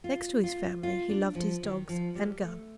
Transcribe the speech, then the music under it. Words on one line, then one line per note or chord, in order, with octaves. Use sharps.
Next to his family he loved his dogs and gun.
F4
F4
F4
D4
F3
D#3
F3
G3
A3